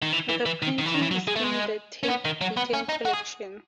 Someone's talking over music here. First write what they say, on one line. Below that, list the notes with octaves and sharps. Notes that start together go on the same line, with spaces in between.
The painting is in the Tate Britain collection.
D#3
E3
E3
E3
D#3
D#3
E3
D#3
E3
F#3
G#3
A3
G#3
C#4
B3
D#3
F#3
B3
C#4
D#4
F#4
G#4